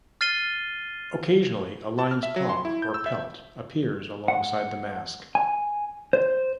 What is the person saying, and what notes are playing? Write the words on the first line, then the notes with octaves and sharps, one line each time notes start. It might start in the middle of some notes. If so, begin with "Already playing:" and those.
Occasionally, a lion's paw or pelt appears alongside the mask.
F6 A6 C7 D#7 G7
A5
F6
E5
F#3
C6
E4
G6
E6
E5
F#5
G#5
C5